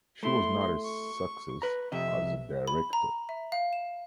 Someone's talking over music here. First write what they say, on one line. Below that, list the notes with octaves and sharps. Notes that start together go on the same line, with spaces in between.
She was not a success as a director.
A3 E4 C6
C#6
B4 A#5
F2 C3 D#5 E5
B5
A#5
E5
F5
E7